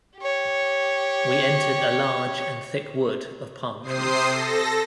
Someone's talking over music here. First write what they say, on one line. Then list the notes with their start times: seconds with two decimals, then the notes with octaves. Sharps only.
We entered a large and thick wood of palm-trees.
0.18 G4 C#5
3.83 C3 C5 D#6 C7
4.28 A4 A#6